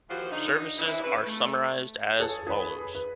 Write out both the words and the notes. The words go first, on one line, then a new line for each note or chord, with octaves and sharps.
Services are summarised as follows.
D#2 E3 F3 F#4 G4 C5
D3 D#4
C3 E3 G3 E4
C#3 E3 E4 B4
A3
G#4 A4 C#5
G#4 B4 C#5 B5
B4